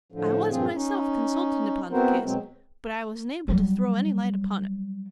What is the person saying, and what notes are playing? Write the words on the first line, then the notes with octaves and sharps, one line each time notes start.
I was myself consulted upon the case, but I was unable to throw any light upon it.
A2 D3 F3
G2 A#2 F3 C4 F4 G#4
C#4 D#4
B3 C4 E4 F#4 A#4 C5
B2 F#3 G#3 C4
F#3 G3